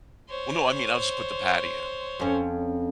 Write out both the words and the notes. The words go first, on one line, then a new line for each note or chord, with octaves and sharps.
Well, no, I mean, I'll just put the patty in
C5 C#5
F2 C#4